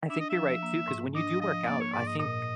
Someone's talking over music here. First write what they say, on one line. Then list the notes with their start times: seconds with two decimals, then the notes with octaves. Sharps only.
I think you're right too, cause when you do work out, I think,
0.10 D4 E5
0.20 D#5
0.30 E5
0.35 F3
0.63 A#3
0.88 G#2
1.15 D4 D#5
1.40 F3 D#5
1.66 A#3 D5
1.80 C#5
1.93 G#2 D5
2.07 D#5
2.19 A#2 D#5